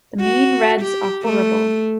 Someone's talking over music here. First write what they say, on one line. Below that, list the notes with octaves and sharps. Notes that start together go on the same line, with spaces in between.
The mean reds are horrible.
F#4
G4
A3